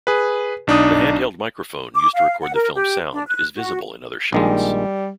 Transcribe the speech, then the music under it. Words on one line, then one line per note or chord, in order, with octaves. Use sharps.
The handheld microphone used to record the film's sound is visible in other shots.
G#4 B4
B1 D4 D#4 D#6
D6
F5
F#5
A#4
G4
D4
F#6
F#4
A#1 D#3 G3 G#3